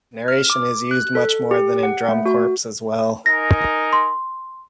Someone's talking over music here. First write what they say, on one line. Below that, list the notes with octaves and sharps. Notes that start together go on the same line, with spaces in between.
Narration is used much more than in Drum Corps as well.
F6
D6
F#6
A4
G4
F#5
A3
F#4
D#4 A#4 G#5 A#6
C6